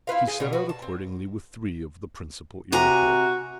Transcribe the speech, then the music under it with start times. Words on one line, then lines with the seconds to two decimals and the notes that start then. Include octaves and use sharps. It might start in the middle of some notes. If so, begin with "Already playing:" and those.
He set out accordingly with three of the principal Iroquois.
0.07 E4 F4 B4 F5
0.27 G#4
0.40 B2 D#3 G3 A#3
0.53 F#4 B4
0.69 A5
0.82 C4
2.72 C3 F#4 G#5 A#5